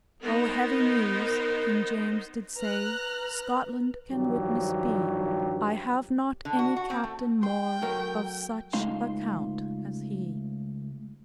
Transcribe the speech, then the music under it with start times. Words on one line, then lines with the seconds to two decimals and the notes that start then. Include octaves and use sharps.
"O heavy newes," King James did say; "Scottland can witnesse bee, I have not any captaine more Of such account as hee."
0.22 B3 D#4 A#4 C5
2.56 B4 A#5 F6 F#6
4.11 G2 D#3 F3 F#3 G4
6.45 D3
6.59 F#4
6.76 F#4
6.90 C4
7.04 A3
7.43 G5 C6
7.82 F#3 A3 A#4
8.73 C#2 G#3 A3 D#4 F5 C6